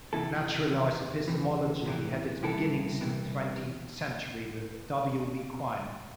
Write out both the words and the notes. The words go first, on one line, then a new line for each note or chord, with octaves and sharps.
Naturalized epistemology had its beginnings in the twentieth century with W. V. Quine.
E2 C3 E3 E4 A4
E2 C3 E3
E2 C3 E3
E2 C3 E3
C2 C3 E3 E4 A4
C2 C3 E3